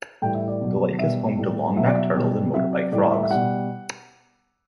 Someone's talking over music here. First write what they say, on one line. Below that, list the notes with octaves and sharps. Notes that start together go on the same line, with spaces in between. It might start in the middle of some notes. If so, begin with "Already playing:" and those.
The Lake is also home to long neck turtles and motorbike frogs.
A2 E3 G3 G5
E5
D5
B2 F#3
B2 G3 E5
A2 G3
B2 F#3 E5
D5
E5
B2 G3
C3 F#3 E5
D5
A2 E3 G3 D5
E5
E5
B2 G3 F#5